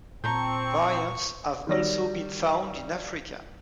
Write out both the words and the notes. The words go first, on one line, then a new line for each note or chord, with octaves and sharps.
Variants have also been found in Africa.
A#2 C4 A5 A#5 C#6 G6
D#3 G3 A#6